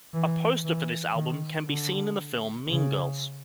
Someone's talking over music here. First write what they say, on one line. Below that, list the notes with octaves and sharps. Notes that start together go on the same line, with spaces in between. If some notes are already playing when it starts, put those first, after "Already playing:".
A poster for this album can be seen in the film, "Mean Girls".
E3
E3
D#3
D3
C#3